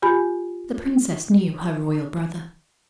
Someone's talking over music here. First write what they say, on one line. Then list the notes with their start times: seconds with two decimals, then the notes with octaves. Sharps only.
The princess knew her royal brother.
0.02 F4 G4 G#5 B5